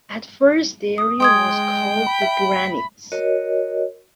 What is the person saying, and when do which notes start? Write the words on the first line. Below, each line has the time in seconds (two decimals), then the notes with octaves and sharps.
At first the area was called "The Granites".
0.98 D#6
1.20 G#3 G5 C6 D#6 G#6
2.07 B5
2.22 E5
3.12 F#4 A#4 C#5 D#5